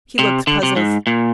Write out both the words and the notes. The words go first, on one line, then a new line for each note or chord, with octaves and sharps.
He looks puzzled.
C3
D3
C3
G#2
A#2